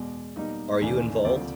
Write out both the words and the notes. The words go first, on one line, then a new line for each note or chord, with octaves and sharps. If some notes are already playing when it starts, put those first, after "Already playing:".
Are You Involved?
Already playing: E2 B2 G#3 D5
B2 G3 A#3 D#4 D#5
D#2 C#3 E3 A3 D4
D2 C3 F3 A#3 D5